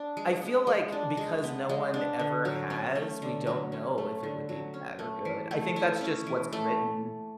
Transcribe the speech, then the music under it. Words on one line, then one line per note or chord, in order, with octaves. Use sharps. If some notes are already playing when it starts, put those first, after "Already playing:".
I feel like, because no one ever has, we don't know if it would be bad or good. I think that's just what's written.
Already playing: B3 D4
G#3
B3
G#3
D4
G#3
B3
G#3
D4
D3
F#3
C#4
A3
D3
F#3
C#4
A3
D3
F#3
C#4
A3
E3
A3
E4
C#4
E3
A3